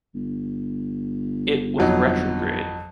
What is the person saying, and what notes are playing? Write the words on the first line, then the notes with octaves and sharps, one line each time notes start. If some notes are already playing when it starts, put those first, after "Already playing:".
It was retrograde.
G1
F2 F#3 D#4